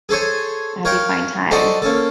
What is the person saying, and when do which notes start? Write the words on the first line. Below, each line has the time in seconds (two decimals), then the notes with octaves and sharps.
as you find time.
0.09 G#4 A4 C5 C#5 G#5
0.85 A#4 C#5 F5 G5
1.51 F#4 A4 C5 D5 D#5 F#5
1.82 A#3 C#4 A4